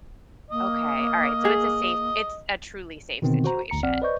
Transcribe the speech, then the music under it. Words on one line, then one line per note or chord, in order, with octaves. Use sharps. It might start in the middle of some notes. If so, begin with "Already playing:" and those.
Okay. Alright, so it's a safe it's a truly safe situation.
A#3 D#5
G#4
B2 D3 D#3 B3 C4
F#4 C5 A#5
G1 D2 A#5 C#7
A#1 C4 D5 F#5 F6
B4 C5 D5 D#5 C#6 G6